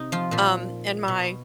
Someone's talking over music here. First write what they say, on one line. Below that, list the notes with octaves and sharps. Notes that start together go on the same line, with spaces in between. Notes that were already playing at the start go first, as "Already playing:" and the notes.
um, and my
Already playing: C3 D#4
F3 F4
A#2 F3
B2